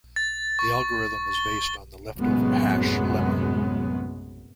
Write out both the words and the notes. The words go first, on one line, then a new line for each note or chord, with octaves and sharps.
The algorithm is based on the leftover hash lemma.
A6
C#6
G7
F#2 A2 C3 F#3 G#3 B3